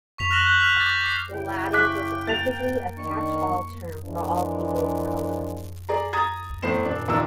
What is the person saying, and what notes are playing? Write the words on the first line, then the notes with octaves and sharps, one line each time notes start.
The latter was effectively a 'catch all' term for all people of color.
C#6 B6 F7
F6 F#6 A#6 E7 F#7 G7
F#6 G6 E7 F#7
F6 B6 F7
D6 G6 A6
D6 C7
C#3 E4 G5
C#6 D6 F#6 B6
A#3 A6 F7
D#3 D4 C#6
E3 F3 G#3 A#3 D4
G#4 D5 A#5
A#5 D#6 G#6 A6
E2 A2 C5 C7 E7
D#1 D4
A1 D#2 A#2 D4 A#5 E6